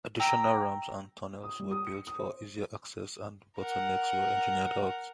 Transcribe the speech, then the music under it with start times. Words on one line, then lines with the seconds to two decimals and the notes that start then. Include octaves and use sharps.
Additional ramps and tunnels were built for easier access, and bottlenecks were engineered out.
0.20 G5 A#5 E6
1.44 D#6
1.59 G3
1.71 D#6
1.87 C#7
2.07 D#6
2.19 C5
3.57 A#4 F#5